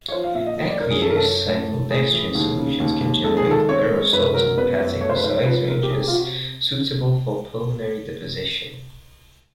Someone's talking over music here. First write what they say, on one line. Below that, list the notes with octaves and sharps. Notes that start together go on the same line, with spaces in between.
Aqueous cyclodextrin solutions can generate aerosols in particle size ranges suitable for pulmonary deposition.
C#5
F3 C5
F5
A#2 E5
D#5
A3 D#5
D5
F#2 A#4
G#4
F#2 A4
A#4
A4
F#2
A2
A2
A2 G#4
E3
D#2
C#3
D#2
D#2
G#3 A4
G#4
D#3 A4
C4 C#5
G#3
F#2 B4
F#3 A#4
B3 B4
F#2
A3 C#5
C5
B4
G#2 C5
F3 B4
C4 A#4
G4
C3 G#4
G4
F4
C3 F#4